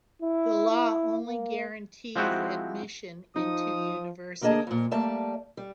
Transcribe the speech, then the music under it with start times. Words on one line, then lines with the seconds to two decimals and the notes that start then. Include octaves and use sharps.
The law only guarantees "admission" into university.
0.21 E4
0.71 E4
1.26 A#3
2.16 F3 G#3 C4 E4 F#4
3.36 F3 D#4 D#6
4.41 D2 A#3 D4 G#4 D#5 A5
4.67 F2 A#2
4.91 G3 A3 A#3 D5 E5 A5
5.57 G3